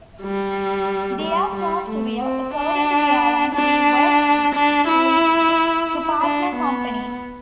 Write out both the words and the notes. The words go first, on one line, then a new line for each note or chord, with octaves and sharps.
The aircraft will, according to the airline, be wet-leased to partner companies.
G3
G3
G3
A3
C4
D4
D4
D4
E4
D4
B3